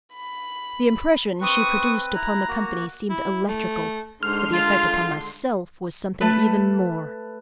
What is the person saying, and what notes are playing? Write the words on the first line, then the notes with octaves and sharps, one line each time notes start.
The impression she produced upon the company seemed electrical but the effect upon myself was something even more.
B5
C4 B4 C#6 D#6
E4 A#5 F#6
A#3 F#4
E4
A3
G#2 D3 G#3 C6 F6
F4
A3 A4 B4